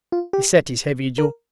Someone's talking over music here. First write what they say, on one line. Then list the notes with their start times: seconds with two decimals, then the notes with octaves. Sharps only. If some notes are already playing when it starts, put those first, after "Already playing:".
He set his heavy jaw.
0.12 F4
0.33 G4
1.18 A#4